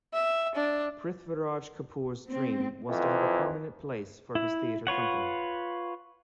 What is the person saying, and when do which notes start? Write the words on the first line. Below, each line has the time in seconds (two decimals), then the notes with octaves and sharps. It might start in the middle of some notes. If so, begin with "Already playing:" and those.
Prithviraj Kapoor's dream was to have a permanent place for his theatre company.
0.13 E5
0.55 D4
2.28 C4
2.89 F2 E3 F3
4.35 E4
4.87 F4 B4 C#5 F#5